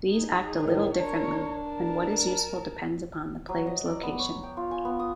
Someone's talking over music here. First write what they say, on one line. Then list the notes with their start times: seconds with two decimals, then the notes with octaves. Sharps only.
These act a little differently, and what is useful depends upon the player's location.
0.11 D#4 G#4
0.59 A2 D#3
0.94 D4 A#4 C#5
1.68 A#4 A5
3.49 F#3
3.67 D#5
3.86 D5
4.03 B3
4.19 C#5
4.43 G5
4.57 F4
4.71 G#5
4.85 B3
4.99 D#6